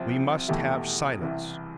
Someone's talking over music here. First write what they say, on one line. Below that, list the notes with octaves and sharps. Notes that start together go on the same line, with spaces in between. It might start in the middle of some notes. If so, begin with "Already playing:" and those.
"We must have silence!"
Already playing: C2 C3 F3 C4 E4
E2 B2 A3 E4 G4
C2 C3 E3